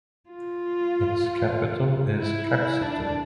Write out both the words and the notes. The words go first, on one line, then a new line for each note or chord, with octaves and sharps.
Its capital is Caxito.
F4
E4
E4
D4